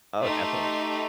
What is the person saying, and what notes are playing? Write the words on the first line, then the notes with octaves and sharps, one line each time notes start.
Oh, definitely.
A3 D#4 G4 C6